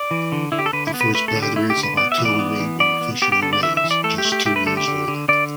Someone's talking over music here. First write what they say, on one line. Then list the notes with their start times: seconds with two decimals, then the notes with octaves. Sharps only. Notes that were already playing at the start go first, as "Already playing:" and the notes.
The first batteries of Artillery were officially raised just two years later.
Already playing: D5
0.11 E3
0.32 D3
0.52 D3 E4
0.59 G4
0.66 A4
0.73 D3 B4
0.87 E4
0.94 B3
1.01 B4
1.14 A3 B4
1.28 A4
1.35 D3
1.43 G4
1.56 A3 E4
1.70 G4
1.77 D3
1.83 B4
1.97 B3 D5
2.12 E5
2.18 E3
2.25 D5
2.39 B3
2.59 E3
2.80 B3 D5
3.01 B3
3.22 B3 G4
3.32 G4
3.42 D3 A4
3.53 D5
3.63 E3 E5
3.77 E5
3.84 E3
3.91 D5
4.04 A3 A4
4.18 G4
4.25 A3
4.32 G4
4.46 A3 G4
4.56 B4
4.66 D3 A4
4.77 G4
4.88 D3
5.08 D3
5.28 D3 D5